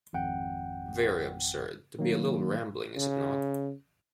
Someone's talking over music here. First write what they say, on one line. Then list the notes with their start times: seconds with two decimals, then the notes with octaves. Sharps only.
Very absurd, to be a little rambling, is it not?
0.13 G#1 F2 F#5 G5
1.99 D#3 F#3 A#3
2.96 C#3